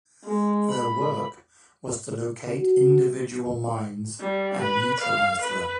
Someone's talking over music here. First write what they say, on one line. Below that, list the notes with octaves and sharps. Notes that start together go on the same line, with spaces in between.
Their work was to locate individual mines and neutralise them.
G#3
B5
F#4
G3
B4
F5
B4